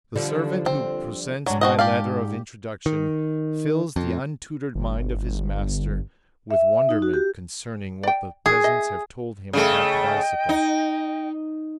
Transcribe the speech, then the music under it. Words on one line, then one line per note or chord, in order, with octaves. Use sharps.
The servant who presents my letter of introduction fills the untutored mind of his master with wonderment concerning what the peasants have told him about the bicycle.
D3 F3 G3
C4
G#2 F#3 D4
C4 F#4 D#5
G4 D5 F5
D#3
F2
G1
E5
D#4
F#4
G4
D5 G5
F#3 G#4
D#5 E5
C#3 A3 D#5 G5
D#4